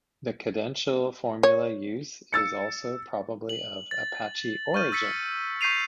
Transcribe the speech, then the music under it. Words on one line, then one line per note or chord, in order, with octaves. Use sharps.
The cadential formula use is also probably of Apache origin.
C#5
E6 A6 C#7
F#7
A6
C#6 F6 G6 D#7
E6 A6 B6 C#7
C#6 G6 B6 C7 D#7 F7